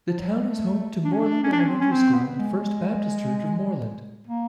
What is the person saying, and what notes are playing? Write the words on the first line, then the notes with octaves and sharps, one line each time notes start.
The town is home to Moreland Elementary School and First Baptist Church of Moreland.
F3
F#3
G3
G#3
A3
D4
C#4
D4
C#4
D4
C#4
C4
C#4
C4
B3
G#3
A#3